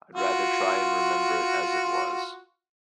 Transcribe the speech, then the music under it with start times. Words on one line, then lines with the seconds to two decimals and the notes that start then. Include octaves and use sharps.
I'd rather try and remember it as it was.
0.15 F4 F#4